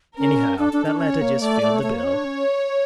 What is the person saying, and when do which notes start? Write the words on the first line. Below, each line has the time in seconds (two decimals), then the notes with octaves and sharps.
Anyhow, that letter just filled the bill.
0.18 C#4 A#4
0.59 D4 A4
0.73 D4
0.86 D4
1.00 C#4 C#5
1.21 A#3
1.42 A3 D5
1.62 A3
1.83 A3 C#5
1.93 A#3
2.04 C#4
2.13 D4
2.25 C#4